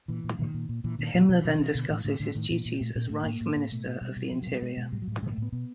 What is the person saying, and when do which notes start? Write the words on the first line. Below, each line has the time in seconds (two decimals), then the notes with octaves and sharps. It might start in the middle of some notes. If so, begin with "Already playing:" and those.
Himmler then discusses his duties as Reich minister of the interior.
0.08 A#2 E3
0.24 A#2
0.39 A#2 D#3
0.54 A#2
0.69 A#2
0.84 A#2 E3
0.99 A#2 D#3
1.14 A#2
1.20 E3
1.29 B2 F3
1.40 E3
1.45 B2
1.50 E3
1.59 B2 D#3
1.75 B2 D3
1.90 A2 E3
2.05 A2 D3
2.20 A2 D3
2.35 A2 D#3
2.50 A#2 E3
2.65 A#2
2.81 A#2 A3
2.96 A#2 A#3
3.09 A2 A3
3.23 A2 A#3
3.41 A2
3.56 A2
3.71 B2 A3
3.87 B2
4.01 B2 G3
4.16 B2
4.31 B2 F3
4.42 F#3
4.47 B2
4.52 G3
4.62 B2 G#3
4.77 B2 G#3
4.92 A2 G3
5.02 F#3
5.07 A2 G3
5.22 A2 G#3
5.33 A3
5.38 A2 B3
5.52 B2 B3